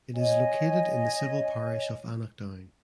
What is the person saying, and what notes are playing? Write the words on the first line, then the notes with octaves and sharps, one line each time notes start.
It is located in the civil parish of Annaghdown.
C#5 D#5 G#5